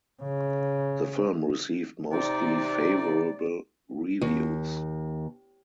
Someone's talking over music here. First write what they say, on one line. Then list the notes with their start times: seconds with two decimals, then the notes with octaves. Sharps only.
The film received mostly favorable reviews.
0.22 C#3
2.12 C3 D#4 D5
4.21 D#2